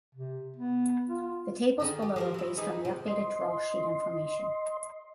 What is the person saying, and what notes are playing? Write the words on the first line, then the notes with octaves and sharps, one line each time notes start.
The tables below are based on the updated draw sheet information.
C3
B3
F4
D3 D#3 G#4
G4
F3 A4 A#4
F#3 E4
E3 D#4 G#4
C3
D#5 C6